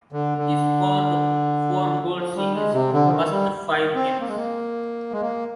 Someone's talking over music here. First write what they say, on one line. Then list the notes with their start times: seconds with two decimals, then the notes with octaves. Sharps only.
He scored four goals in his first five games.
0.12 D3
0.38 D3
2.16 F3
2.35 G3
2.54 G#3
2.73 C3
2.92 D3
3.06 F3
3.12 D#3
3.30 G3
3.69 D#3
3.95 C4
4.20 A#3
4.28 G#3
4.36 A#3
5.12 G#3
5.22 A#3